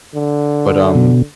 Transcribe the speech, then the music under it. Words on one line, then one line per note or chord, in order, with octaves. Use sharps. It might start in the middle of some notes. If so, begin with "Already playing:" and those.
but um,
D3
B2